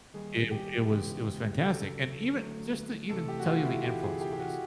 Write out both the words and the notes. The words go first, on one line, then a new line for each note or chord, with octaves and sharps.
it w it was it was fantastic. And even just to even tell you the influence of this,
D#3 G3 A#3 G#4
G4
E2 C#3 E3 G#3 B3
D#2 C#3 F#3 A4
D3 F#3 A3
C2 C3 E3 A3 A4
G4
F#4
F4
E4
D2 C3 E3 G4
G#4
G4
G4
F#4